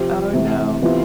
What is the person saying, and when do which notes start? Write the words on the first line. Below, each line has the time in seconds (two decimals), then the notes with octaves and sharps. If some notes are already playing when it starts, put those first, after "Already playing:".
Oh, no.
Already playing: C3 F3 C4 G4
0.33 C3 E3 A3 C4 G4
0.82 C3 E3 B3 F4